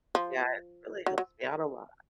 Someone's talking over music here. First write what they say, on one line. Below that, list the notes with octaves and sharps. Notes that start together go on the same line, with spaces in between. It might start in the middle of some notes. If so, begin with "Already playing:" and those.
Yeah. It really helps me out a lot.
F3
F#3
F#3